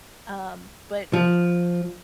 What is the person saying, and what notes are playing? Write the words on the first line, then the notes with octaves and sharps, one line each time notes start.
Um, but
F3